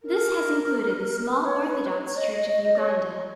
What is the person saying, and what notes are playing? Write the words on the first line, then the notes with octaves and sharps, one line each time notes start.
This has included the small Orthodox Church of Uganda.
A#4
B4
C#5
B4
C#5
C#5
D#5
D#5
D#5
D#5
C#5